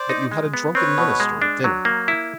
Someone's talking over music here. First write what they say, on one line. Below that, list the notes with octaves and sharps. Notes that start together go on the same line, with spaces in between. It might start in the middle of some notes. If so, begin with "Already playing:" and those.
"That you had a drunken minister at dinner?"
Already playing: C5 D5
D#4
G#3
B3
C4 B4 C#5
B2
G#3
D4
F#3
A#3
E4